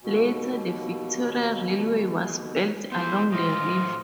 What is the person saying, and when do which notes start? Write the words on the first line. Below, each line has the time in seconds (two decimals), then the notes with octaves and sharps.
Later, the Victoria Railway was built along the river.
0.03 D#2 B2
2.92 B3 E4 C5
3.32 A2 A3 F4 C5 D#5